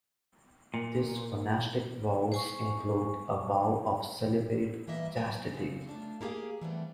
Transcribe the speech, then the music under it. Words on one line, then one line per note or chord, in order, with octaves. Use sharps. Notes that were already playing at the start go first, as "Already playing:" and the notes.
Their monastic vows include a vow of celibate chastity.
A#2
C5 G#5 C#6
G2 E3 G3 A#3 D#5 E5
B2 F#3 C5 G5 G#5
F#2 C#3 C4
A3 D4 F4
A#3 E4 G4 G#4 F5
E3 F3 G3 A3 B3 C4